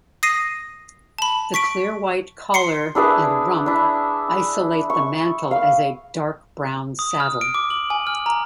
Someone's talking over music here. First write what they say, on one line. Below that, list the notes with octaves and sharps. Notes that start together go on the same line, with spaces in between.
The clear white collar and rump isolate the mantle as a dark brown 'saddle'.
D#6 A#6 C7 D#7
A5 B5
C#6 B6 D7
C6 C7 C#7
D4 E4 G#4 B4
D4 E4
C#6
F5
D#6
F6
D7
D6
F#7
G#5
F6
A#5